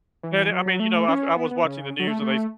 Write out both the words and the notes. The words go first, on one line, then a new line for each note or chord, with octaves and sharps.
And it I mean, you know, I I was watching the news, and they s
E3
F#3
F#3
A3
C#4
B3
B3
C#3
F#3
A3
A3